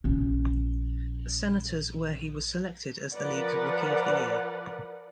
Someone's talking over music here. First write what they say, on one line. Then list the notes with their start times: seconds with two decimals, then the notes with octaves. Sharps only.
Senators where he was selected as the league's Rookie of the year.
0.04 A#1 C#4
3.13 F3 A#4 B4 D5 F#5